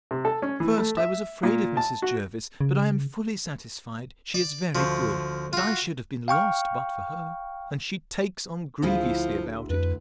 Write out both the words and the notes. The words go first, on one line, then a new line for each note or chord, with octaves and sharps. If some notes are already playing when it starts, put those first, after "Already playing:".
At first I was afraid of Mrs. Jervis; but I am fully satisfied she is very good, and I should have been lost but for her; and she takes on grievously about it.
C3
A4
C#4
E3
A3
E5
A#2
A5
F#4
C#3
D5
D2 F3
F4 F#4
F5 G5 C#6 F6
D2 F3 E4 F4 G#4
F2 B4